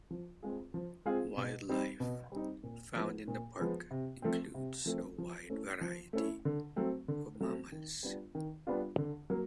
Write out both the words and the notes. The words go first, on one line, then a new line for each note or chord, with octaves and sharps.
Wildlife found in the park includes a wide variety of mammals.
F3
G#3 C4 F4 G#4
F3
G#3 C4 F4 G#4
B2
G3 C4 D#4
B2
G3 C4 D#4
A#2
F3 G#3 B3
A#2
F3 G#3 B3
C3
F3 A3 C4
C3
F3 A3 C4
F3
A3 C#4 E4
F3
A3 C#4 E4
D3
F#3 A3 C4
D3
F#3 A3 C4
D#3
G3 B3 D4 F4
D#3
G3 B3 D4 F4
D3
F#3 A#3